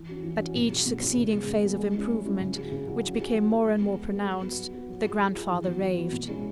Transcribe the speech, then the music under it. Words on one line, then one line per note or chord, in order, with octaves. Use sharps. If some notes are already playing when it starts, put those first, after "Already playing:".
At each succeeding phase of improvement, which became more and more pronounced, the grandfather raved.
Already playing: E3
C#4 F#4
E3
C#4 F#4
B2
F#3 C#4 E4 G#4
B2
F#3 C#4 E4 G#4
C#3
G#3 B3 G#4
C#3
G#3 B3 G#4
G#3
C#4 E4 G#4
G#3
C#4 E4 G#4
C#3
F#3 E4 G#4
C#3
F#3 E4 G#4
F#3
E4 G#4
F#3
E4 G#4
G#3
B3 G#4
G#3
B3 G#4
F#3
B3 F#4
F#3
B3 F#4
F#3
E4 G#4
F#3
E4 G#4
E3
B3 F#4
E3
B3 F#4
B2
G#3 C#4 E4